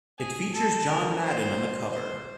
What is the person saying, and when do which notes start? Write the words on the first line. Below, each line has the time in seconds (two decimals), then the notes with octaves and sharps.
It features John Madden on the cover.
0.18 G#4
0.53 A4
0.87 A#4
1.21 C5
1.91 C5